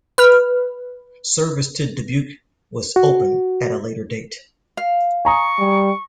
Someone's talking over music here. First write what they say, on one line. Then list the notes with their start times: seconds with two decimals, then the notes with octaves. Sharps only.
Service to Dubuque was to open at a later date.
0.18 B4 F6
2.96 F#4
4.77 F5
5.25 G#5 A#5 C#6 D#6
5.59 G3